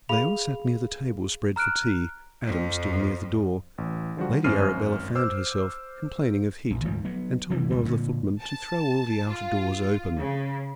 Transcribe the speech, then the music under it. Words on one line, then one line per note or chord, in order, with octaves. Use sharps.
They all sat near the table spread for tea, Adam still near the door. Lady Arabella fanned herself, complaining of heat, and told one of the footmen to throw all the outer doors open.
G#4 F5 B5 F7
A#5 F6 F#6 D7
F2 F3
A1
D3 F3 G3 F#4
G#1 F#2 C5 F6 C7 D#7
C5 D6 E6 F6
A#1
D2 G#2 F3 G3
F#3 B3
C3 E3 G3
D#1 C#2 G3
A#2 D3
A5
F4
C#3